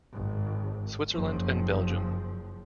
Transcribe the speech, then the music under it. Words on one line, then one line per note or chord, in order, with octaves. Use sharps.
Switzerland and Belgium.
G#1
F#1 F3